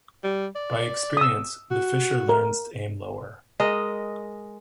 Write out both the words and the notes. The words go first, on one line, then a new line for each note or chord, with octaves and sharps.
By experience, the fisher learns to aim lower.
G3
D5
D#6 E6
F#4
A#4
G#3 A#4 D#5